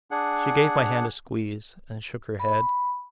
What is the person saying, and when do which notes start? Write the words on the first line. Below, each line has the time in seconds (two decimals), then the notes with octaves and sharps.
She gave my hand a squeeze, and shook her head.
0.11 D4 G#4 F#5
2.40 B5